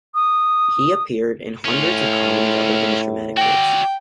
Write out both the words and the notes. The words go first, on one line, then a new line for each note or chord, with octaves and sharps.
He appeared in hundreds of comedies other than his dramatic roles.
D#6
A2 C#4 F4
F#4 D5 G5